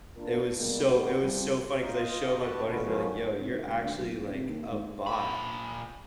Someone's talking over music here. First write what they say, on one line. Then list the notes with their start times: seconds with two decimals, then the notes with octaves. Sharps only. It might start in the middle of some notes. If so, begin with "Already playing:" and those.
It was so it was so funny 'cause I show my buddies, they're like, "Yo, you're actually like a bot.
0.17 A#3 D4 F4 A#4
0.56 C3 G3 G#3 A#3 B3
0.87 A2 D#3 B3 F#4 G4
1.23 F3 G3 C4
1.81 D#4 F4 D#5
2.40 F#4 G4 B4 A5
2.65 B2 D3 G#3 B3 C#4
2.84 D#3 F3 F#3 B3 C#4
3.40 C3
3.54 D#3
3.67 C#2
3.83 D2
3.98 B1
4.19 E1
4.33 C3
4.49 D#2
4.71 G#2
5.07 A#2 B5